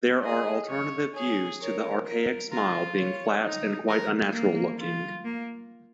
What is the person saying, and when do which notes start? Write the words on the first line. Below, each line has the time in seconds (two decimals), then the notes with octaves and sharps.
There are alternative views to the archaic smile being "flat and quite unnatural looking".
0.24 G#4 D#5
0.69 C#5
1.15 G#4 C#5
1.61 A#4 C#5
2.06 A#4
2.51 F4 A#4
2.97 C#5
3.41 D#4
3.88 A#4
4.33 A#3
4.79 F4
5.24 A#3